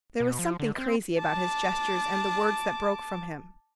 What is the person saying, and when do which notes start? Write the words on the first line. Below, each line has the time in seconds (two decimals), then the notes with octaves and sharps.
There was something crazy about his gestures and the words that broke from him.
0.20 B2
0.39 F3
0.60 D3
0.78 C4
1.20 A5 D6